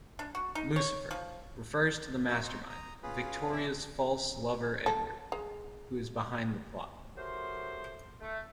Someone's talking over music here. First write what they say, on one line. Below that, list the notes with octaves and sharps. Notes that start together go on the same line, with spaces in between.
"Lucifer" refers to the mastermind, Victoria's false lover Edward, who is behind the plot.
D4
F#4
D#4
C#5
F3
F#4 A#4 E5 E6
D#5 A#5 C6 C#6
A#5 D#6
C#4 F4 G#4 B4
C#4 D4 D5 E5
A4
G#3
F#3 A3 G4 A#4 C5
A3